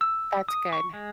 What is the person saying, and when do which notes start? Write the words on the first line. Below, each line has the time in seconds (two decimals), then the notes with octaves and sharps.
That's good.
0.01 E6
0.48 D#6
0.73 C#6
0.93 G#3